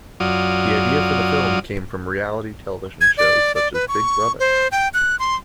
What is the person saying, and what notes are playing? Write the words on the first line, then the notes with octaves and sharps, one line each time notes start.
The idea for the film came from reality television shows such as "Big Brother".
F#2 F#3 F4 D5 D#6
G#6
D5
D5
B4
C#6
C5
G5
F#6
C6